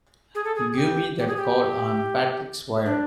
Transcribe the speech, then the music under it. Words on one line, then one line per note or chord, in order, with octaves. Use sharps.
Give me that call on Patrick's wire!
G#4
A4
G#4
G#4
G4
G4
G#4
G4
D4